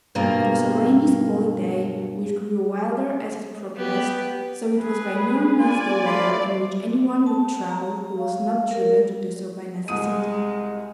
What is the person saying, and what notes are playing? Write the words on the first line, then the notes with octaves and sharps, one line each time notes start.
It was a rainy, squally day, which grew wilder as it progressed, so it was by no means the weather in which anyone would travel who was not driven to do so by necessity.
G2 B2 A#3 A#4
B3 G4
G#4 B4
F4 D5 G#5
A3 F4 B5 C6
A5
A#5
F5
A#4
C2 G#3 D#6 D#7